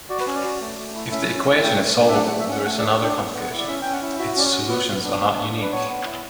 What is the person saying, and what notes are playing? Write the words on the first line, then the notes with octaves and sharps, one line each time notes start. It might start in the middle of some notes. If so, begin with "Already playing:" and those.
If the equation is solvable, there is another complication: its solutions are not unique.
F#4 D5
B4
C#4 C#5
D5
F#4
A3
A3
E4
C#4 E5
C#4
E4
A3 G5
A3
D4
E5
A3 F#5
F#5
A3
E5
C#4 F#5
A3 F#5
D5
A3
F#5
D4 G5
B3 F#5
B3
F#5
E4
D5
C#4 E5
C#4 G5
F#5
E4
F#4 E5
C#4 D5
C#5
F#4
B3 B4
B3
D4
A3
A3
D4
B4
B3 C#5
B3
E4